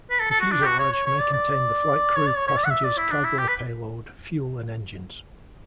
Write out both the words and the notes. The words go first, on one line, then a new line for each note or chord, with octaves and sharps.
The fuselage may contain the flight crew, passengers, cargo or payload, fuel and engines.
B4
A4
A4
F#4
D4
G4
F#4
C#5
C#5
C#5
D5
D5
C#5
D5
C#5
C#5
D5
F#5
E5
D5
E4
D4
E4
G4
B4